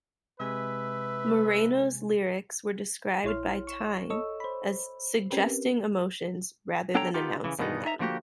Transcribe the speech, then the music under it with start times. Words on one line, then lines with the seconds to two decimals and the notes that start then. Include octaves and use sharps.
Moreno's lyrics were described by "Time" as "suggesting emotions rather than announcing them".
0.40 C3 G#3 B4 E5 G#5
3.24 A#1 E4 C#5 C6 F6
3.67 C#6 E7
4.10 A4 C#5 D#5 C#6 E6
4.40 C5 B5
5.31 C4 C#4 G4 A#4 B4
6.95 B3 D4 A4 C#5 G5 A#5
7.14 B3 D#4 F4 G4
7.44 C#3 E3
7.59 G2 B2 D#3 E3 B3 D#4
7.85 D#4 E5 A#5
7.99 D3 F3 A#3 F#4 G4